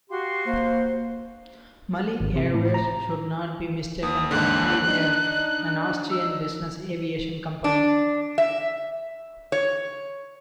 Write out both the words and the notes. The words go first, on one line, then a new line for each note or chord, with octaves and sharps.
Mali Airways should not be mistaken for Mali Air, an Austrian business aviation company.
F#4 G4 F5 C6
A#3 C5
G#1
C3
A2
A#5
D#2 D#6
D#2 G#2 D3 F#6
D4 D#4
E6
D4
E5
C#5